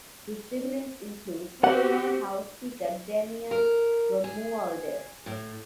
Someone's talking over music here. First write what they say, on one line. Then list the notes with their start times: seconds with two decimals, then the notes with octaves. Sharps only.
His siblings includes former House Speaker Daniel Romualdez.
1.64 C4 F#4 G4 F#5
3.51 A#4
4.24 G#4
5.26 A2